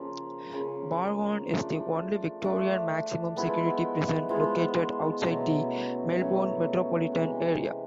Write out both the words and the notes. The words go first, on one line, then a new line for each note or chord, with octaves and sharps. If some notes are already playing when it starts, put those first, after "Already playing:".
Barwon is the only Victorian maximum security prison located outside the Melbourne metropolitan area.
Already playing: C#3 F3 A#3
C#3 F3 A#3
F3 A3 D4
F3 A3 D4
F3 G#3 B3 E4
F3 G#3 B3 E4
B2 F#3 A3 C#4
B2 F#3 A3 C#4
C3 E3 G#3